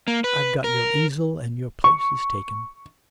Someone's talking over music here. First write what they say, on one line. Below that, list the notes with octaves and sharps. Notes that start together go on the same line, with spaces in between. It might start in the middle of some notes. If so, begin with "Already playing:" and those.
I've got your easel, and your place is taken.'
A#3
B4
A#4
C#6